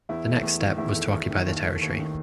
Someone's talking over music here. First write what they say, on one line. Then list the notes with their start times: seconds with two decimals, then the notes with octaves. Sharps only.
The next step was to occupy the territory.
0.09 E2 E4
0.27 A3
0.43 E2
0.61 D#3
0.78 E2 E4
0.95 A3
1.12 E2
1.30 D#3
1.47 D#2
1.64 A3
1.82 D#2
1.99 D#3